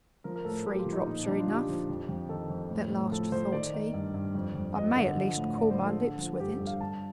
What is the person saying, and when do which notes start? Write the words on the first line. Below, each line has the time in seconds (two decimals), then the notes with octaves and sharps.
"Three drops are enough," at last thought he; "I may, at least, cool my lips with it."
0.24 F3 A#4
0.36 A#4
0.45 A2 A4
0.66 A2 G4
0.79 F4
0.86 F3
0.93 D#4
1.06 A#2 D#4
1.25 D4
1.28 F3 D#4
1.40 F4
1.48 F3 G4
1.69 F3
1.89 F2
2.09 F2
2.29 D#3 A4
2.50 F2
2.71 A2
2.92 A2
3.12 F3 A4
3.32 F3 C5
3.52 D#3 D5
3.74 D#3
3.94 G2
4.14 G2
4.35 F2
4.55 F2
4.75 F3 D#5
4.96 D3
5.17 F3
5.37 A2
5.58 A2 D5
5.71 C5
5.79 F3
5.86 A4
5.99 D3
6.19 F3
6.40 G2 G4
6.54 G4
6.60 G2
6.67 F5
6.81 G2 A5